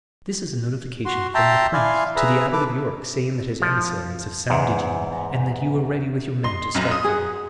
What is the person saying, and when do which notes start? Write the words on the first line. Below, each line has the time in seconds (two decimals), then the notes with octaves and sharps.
"This is a notification from the Prince to the Abbot of York saying that his emissaries have sounded you and that you are ready with your men to strike for him."
1.05 F#4 C6
1.35 E5 G5 A5 A#5 C6
1.73 E4 D5 F5 G#5 C6
2.16 G#4 B4 E5 A#5
2.53 A4 B4 D6
3.62 F3
4.50 E2 G#2
6.44 D#5 C6
6.75 B1 F#2
6.91 D#6
7.04 G#4 F#5